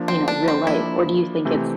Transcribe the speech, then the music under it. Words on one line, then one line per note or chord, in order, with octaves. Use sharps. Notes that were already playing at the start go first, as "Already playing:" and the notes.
you know, real life, or do you think it's
Already playing: F3 A#3 D4
C4
D4
C4
F3 A#3 D4 E4
C3 E3 A3 C4 G4